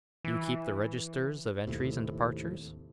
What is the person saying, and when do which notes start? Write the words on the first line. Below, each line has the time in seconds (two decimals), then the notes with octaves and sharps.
"You keep the registers of entries and departures?"
0.24 E3
1.67 D#2 A2 C3